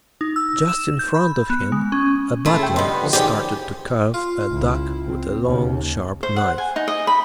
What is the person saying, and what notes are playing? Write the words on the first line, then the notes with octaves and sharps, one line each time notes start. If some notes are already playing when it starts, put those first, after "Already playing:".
Just in front of him a butler started to carve a duck with a long, sharp knife.
D#4
E6
E7
G6
B5
B3
G#3
C#4
A3 E4 F4
C#3 G5
G2 B3 D#5 B5 C6
A#2 D3 F3
F2 D#3 C#4 G4 G#4 C5 D5
F4
C#2 E4
C4
D#2 C#3
C5
F#5
G#5
D#4
D#5
B5